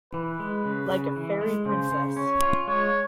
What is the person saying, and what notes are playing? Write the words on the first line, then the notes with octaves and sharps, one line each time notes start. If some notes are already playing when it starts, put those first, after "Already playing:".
Like a fairy princess.
E3 B4
G#3
C#3
C#3
E3
G#3
C#3 C5
C#3
C#4 C#5
F4
G#3 C#5